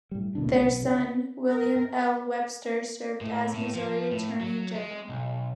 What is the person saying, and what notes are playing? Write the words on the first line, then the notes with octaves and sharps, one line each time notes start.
Their son, William L. Webster served as Missouri Attorney General.
A2 G3
D#2 B2 D3 D4
A2 C#3
B1
C#3
A#4
A2
A2
F3
A2
F#3
G#3
B1